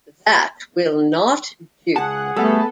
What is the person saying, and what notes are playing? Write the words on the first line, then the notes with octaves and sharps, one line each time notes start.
That will not do.
C#2 G#4 F#5 A5
G3 A3 B3 A4